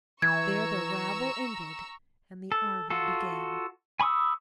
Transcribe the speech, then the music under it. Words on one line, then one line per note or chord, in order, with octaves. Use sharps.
There the rabble ended and the army began.
E3 A#5 C#6 E6 G#6
A4
F4 F#4 A4
G#5 B5 C#6 D#6 E6